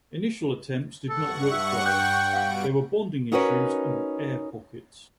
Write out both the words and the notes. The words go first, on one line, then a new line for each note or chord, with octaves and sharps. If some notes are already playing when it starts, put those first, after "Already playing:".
Initial attempts did not work well: there were bonding issues and air pockets.
G2 A4 F#5 C#6
E5
G5 F#6 G6
B2 G3 F5 F#5 D7
C#4 D#4 F#4 A#4 B4 C#5